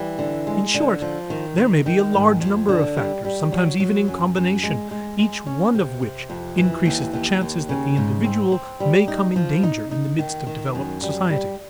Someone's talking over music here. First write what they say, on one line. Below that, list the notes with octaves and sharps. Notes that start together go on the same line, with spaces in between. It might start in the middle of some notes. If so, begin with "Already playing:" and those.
In short, there may be a large number of factors, sometimes even in combination, each one of which increases the chances that the individual may come in danger in the midst of developed society.
Already playing: E3 G3
D3
G#3
D3
F3
D#3
D#3
D#3
G#2
F2
D3
G3
G3
F#3
F#3
F#2
F#2
G#3
G#3
G#3
C#4
C3
C3
F2
E3
D#2
D#2
D#2
C#3
G#2
C4
C4
G3
D#4
F3
D#4
D#4
D#3
D#3
F#2
G3
G3